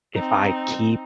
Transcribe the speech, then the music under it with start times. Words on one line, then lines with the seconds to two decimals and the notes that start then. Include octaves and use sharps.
if I keep
0.14 C4 D#4